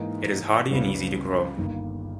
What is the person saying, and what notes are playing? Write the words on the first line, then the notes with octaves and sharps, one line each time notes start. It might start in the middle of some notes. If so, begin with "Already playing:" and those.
It is hardy and easy to grow.
Already playing: G#2 E3 A#3 D#4
C#2 C#3 G3 B3 E4
G1 G2 D#3 A#3